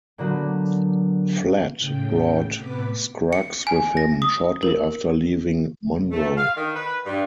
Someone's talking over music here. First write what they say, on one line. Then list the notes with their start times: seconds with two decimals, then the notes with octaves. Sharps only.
Flatt brought Scruggs with him shortly after leaving Monroe.
0.18 A#2 D3 F#3 A3 B3 F#4
1.78 A2 C#3 G5
2.58 A2 C3 B3 B4 D6 B6
3.33 C#7
3.67 G#5
3.97 A#6
4.22 D#6
4.63 A#4
6.12 A3
6.37 F5
6.57 D#3
6.76 B4
7.06 G2